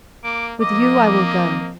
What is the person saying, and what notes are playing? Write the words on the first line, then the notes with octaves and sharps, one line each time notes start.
With you I will go.
A#3 D6
F3 A#3 C4 D#5 D6